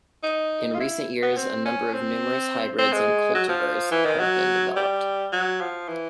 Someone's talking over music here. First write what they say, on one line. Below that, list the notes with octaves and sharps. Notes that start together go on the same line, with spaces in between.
In recent years a number of numerous hybrids and cultivars have been developed.
D#4
F4
E4
B3
C4
C#4
C4
C4
G#3
F#3
F3
E3
D#3
F#3
G3
F#3
F3
E3